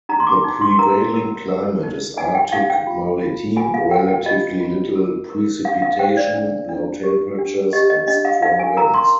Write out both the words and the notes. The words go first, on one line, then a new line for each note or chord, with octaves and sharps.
The prevailing climate is arctic-maritime; relatively little precipitation, low temperatures, and strong winds.
D#4 A#5
C6
D6
D#4
C6
A#4 A#5
A#4
A#4
D#4
D#4 G#5
G5
D#4 F5
G5
F4
F4
F4 G#5
F5
A#4 G5
G5
F4 D#5
F4
A#4
A#4
D4 F5
F5
C5 G5
D5
D4
D4
G4
D4
G4 D#5
D#5
D4 D#5
F5
D#4 F5
G#5
A#4 A#5
C6